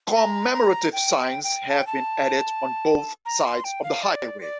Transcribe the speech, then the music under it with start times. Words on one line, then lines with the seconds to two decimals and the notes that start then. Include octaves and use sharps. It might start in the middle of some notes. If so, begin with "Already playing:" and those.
Commemorative signs have been added on both sides of the highway.
0.15 A#5
0.53 A#5
0.93 G5
1.18 G5
1.44 G5
1.69 A5
1.78 G5
1.87 A5
3.25 A#5
3.45 C6
3.64 G5
3.83 F5
4.03 D5
4.42 D5